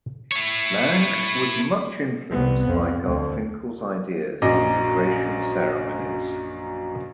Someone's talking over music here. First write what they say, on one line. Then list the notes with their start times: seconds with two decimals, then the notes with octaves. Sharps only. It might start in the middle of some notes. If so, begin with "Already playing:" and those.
Laing, was much influenced by Garfinkel's ideas on 'degradation ceremonies'.
0.32 E4 C#5
2.31 C2 B3
2.66 F2
3.06 D2
4.42 A#1 F#2 D#5 A#5 D6